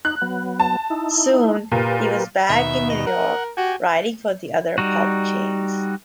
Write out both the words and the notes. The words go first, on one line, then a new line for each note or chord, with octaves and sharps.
Soon, he was back in New York, writing for the other pulp chains.
D#4 F#6
F#3 B3
A5
D#4 E4
A#2 G4 A#4 B4
D#2 B2 E5
D#5
A#4 F#5
F#4 G4 G#5
G3 D#4 F#4